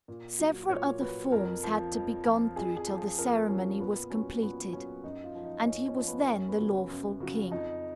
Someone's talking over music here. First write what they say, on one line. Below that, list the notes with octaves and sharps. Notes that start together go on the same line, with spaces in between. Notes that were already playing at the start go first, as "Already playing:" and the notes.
Several other forms had to be gone through till the ceremony was completed; and he was then the lawful king.
A#2
F#3
A#2 C#5
F#3 B4
F2 A#4
F3
F2
F3
F2 G#4
G#4
F3
G#4
F2 A#4
F3 C#4
A#2 B3
F#3 C#4
A#2 B3
F#3 C#4
F#2 D#4
F4
F3
D#4
D#4
F#2 C#4
C#4
F3
B3
F#2 C#4
B3
C#3 F#3
C#4
F#2
C#3 F#3
F2 D#4